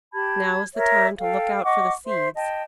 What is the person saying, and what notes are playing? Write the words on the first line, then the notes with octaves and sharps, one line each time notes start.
Now is the time to look out for the seeds.
G4 A5 B5 G#6
A#4 C#5 E5
A4 F5 G5
D#5 F#5 C#6 D6
C5 E5 C6
D#5 G5 A5